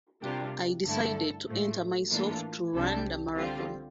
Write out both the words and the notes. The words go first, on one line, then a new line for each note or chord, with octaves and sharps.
I decided to enter myself to run the marathon.
C3 G3 D4 F4 G4 A#4
G2 D3 A3 E4 A4
A2 F3 A3
A2 E3 A#3 D4 F4 A4
C2 C3 G3 D4 A4
D3 G3 C4 F4